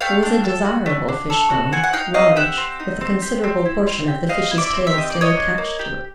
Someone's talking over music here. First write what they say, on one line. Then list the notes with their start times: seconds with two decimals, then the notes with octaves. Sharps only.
It was a desirable fishbone, large, with a considerable portion of the fish's tail still attached to it.
0.01 A3 F5 G5
0.23 D4
0.44 A4
0.65 F#4
0.86 A3
1.08 D4
1.30 A4
1.51 F#4
1.72 C4 F#5 G#5
1.84 F#5
1.93 D#4 F5 G5
2.14 C4 D#5 F5
2.36 G4 E5 F#5
2.58 C4
2.80 D#4
3.01 C4
3.22 G4
3.44 C4
3.65 E4
3.87 C4
4.08 G4
4.29 C4 D#5 F5
4.51 E4
4.58 D5 E5
4.73 C4
4.87 E5
4.94 G4 D#5
5.10 A#3 D5
5.21 C#5 D#5
5.37 D4
5.58 A#3
5.79 G4